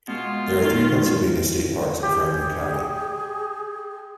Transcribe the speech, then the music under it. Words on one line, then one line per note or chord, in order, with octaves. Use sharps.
There are three Pennsylvania state parks in Franklin County.
B2 G#3 F4
D#3
G4 G#4